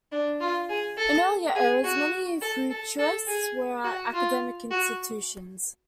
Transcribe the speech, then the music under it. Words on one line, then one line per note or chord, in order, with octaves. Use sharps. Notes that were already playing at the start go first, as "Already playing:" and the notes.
In earlier eras, many futurists were at academic institutions.
D4
F4
G#4
A4
G#4
F#4
A4
A4
A4
G#4
F#4
F4
F#4